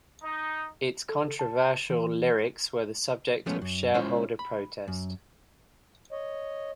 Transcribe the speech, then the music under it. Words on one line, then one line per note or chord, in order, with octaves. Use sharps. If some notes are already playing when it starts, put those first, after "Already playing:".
Its controversial lyrics were the subject of shareholder protest.
D#4
A4
A5
E3
F3 G#3 A3 B3 C#4
F#2
G#3 C#4 E4 F4 C5 C#5
B5
F#2
C#5 D#5